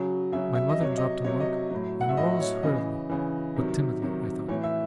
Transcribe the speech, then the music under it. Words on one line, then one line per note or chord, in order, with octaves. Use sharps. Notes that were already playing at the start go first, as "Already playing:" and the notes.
My mother dropped her work, and arose hurriedly, but timidly I thought.
Already playing: C#3 F#3
C#3 F#3 E5
E5
D#5
C3 F#3 C#5
D#5
C3 F#3 C#5
D#5
A2 F#3
F#5
E5
A2 F#3 D#5
C#5
C#3 E3 D#5
C#3 E3
C3 D#3 F#3
C3 D#3 F#3
A2 E3 C#5
E5